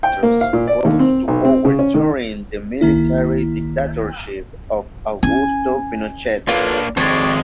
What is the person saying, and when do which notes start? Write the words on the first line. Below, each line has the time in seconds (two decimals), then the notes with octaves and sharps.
Walters rose to power during the military dictatorship of Augusto Pinochet.
0.03 G5
0.23 A#3
0.41 F5
0.53 A#2
0.67 D5
0.85 D#2
0.99 C4
1.28 B1
1.45 C4
1.65 C#3
1.79 C#4
1.94 D#3
2.81 C2 D#3 A#3 E4
5.23 C#4 E4 G#5
6.48 A#3 D4 F4 A4 B4 C#5
6.97 F2 D#3 G#3 C4 C#5 D5